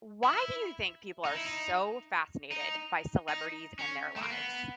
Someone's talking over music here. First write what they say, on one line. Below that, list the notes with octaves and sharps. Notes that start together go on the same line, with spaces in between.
Why do you think people are so fascinated by celebrities and their lives?
E4
D#4
E4
D#4
D#4
D#4
C#4
A3
A#3
B3